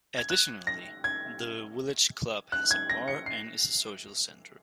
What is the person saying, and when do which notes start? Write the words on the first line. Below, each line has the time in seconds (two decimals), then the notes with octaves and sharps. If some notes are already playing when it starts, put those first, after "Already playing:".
Additionally, the Village Club has a bar and is a social centre.
0.18 G#6
0.30 F#6
0.67 A#6
1.04 G#6
2.52 F#6
2.71 G#6
2.90 A#6
3.08 C#7
3.26 C7